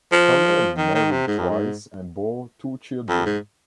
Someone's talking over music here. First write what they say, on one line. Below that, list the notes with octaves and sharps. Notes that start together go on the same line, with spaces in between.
Helene married twice and bore two children.
F3
D#3
D#3
C3
G#2
F2
G#2
F2
G#2